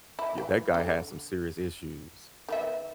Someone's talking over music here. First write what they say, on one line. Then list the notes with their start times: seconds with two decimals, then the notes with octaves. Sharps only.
Yeah, that guy had some serious issues.
0.19 E4
0.38 E3
0.74 D3
2.49 D#3 B3 E5